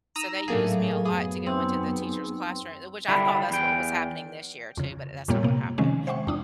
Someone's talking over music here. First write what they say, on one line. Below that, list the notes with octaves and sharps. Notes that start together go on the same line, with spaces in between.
So they used me a lot to go into the teacher's classroom, uh, which I thought that's what was happening this year too, but that that's not what happened.
D#4 A#5 D#6 E6
A2 F#3 A3 A#3 D4 G#4 F5
F#2 B3 G#4
C4 D#4
D3 G3 E4
E2 G5
F2 C#3
F2 A#2 G3 A#3 G4 C#5
C3 A#3
C3 D#3 F3 G#3 C4 C#4
C5 E5 F#5 G5 C#6
F2 D4 D#6